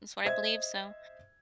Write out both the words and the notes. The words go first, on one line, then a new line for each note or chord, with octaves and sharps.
It's what I believe. So
C5 D#5 E5 G#6